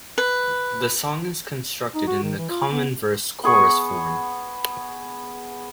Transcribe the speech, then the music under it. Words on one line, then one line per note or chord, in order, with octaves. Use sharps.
The song is constructed in the common verse-chorus form.
B4
D#4
F#4
D#3
E3
F4
B3
B3 G#4 C#6